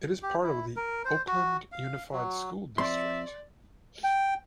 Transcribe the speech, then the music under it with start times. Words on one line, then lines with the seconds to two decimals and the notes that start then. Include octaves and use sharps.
It is part of the Oakland Unified School District.
0.23 G4
0.43 E4
0.76 A#4
1.05 C5
1.27 F#4
1.72 F5
2.12 F#3
2.78 F3 C4 D5 E5 C6
4.04 G5